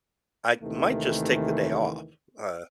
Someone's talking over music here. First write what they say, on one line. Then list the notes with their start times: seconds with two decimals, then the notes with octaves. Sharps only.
I might just take the day off, uh
0.61 D#2 C3 D#3 E3 A3